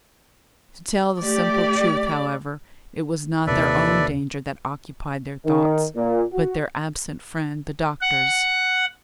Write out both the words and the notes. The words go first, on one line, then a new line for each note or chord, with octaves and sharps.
To tell the simple truth, however, it was not their own danger that occupied their thoughts, but their absent friend, the Doctor's.
A3 G4 D5
D#1 D#2 C3 A4 B4 D5 E5
D#3
A#2
F#4
F#5